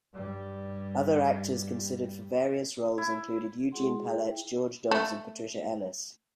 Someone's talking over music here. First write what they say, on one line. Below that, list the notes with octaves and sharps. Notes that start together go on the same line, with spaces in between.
Other actors considered for various roles included Eugene Pallette, George Dobbs and Patricia Ellis.
G2 G3
E4
G#3 E4 F#4 G#4 F#5 C6
G#4
E4 E5 G5
A3